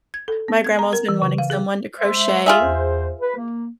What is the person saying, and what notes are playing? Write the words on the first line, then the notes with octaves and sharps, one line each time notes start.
My grandma's been wanting someone to crochet,
G#6
A4
B3
G#6
A#5
A#4
E3
C#3
F5
G#4
G#3 C5 E5
F4 G#4 E5
E2 C5
B4
A#3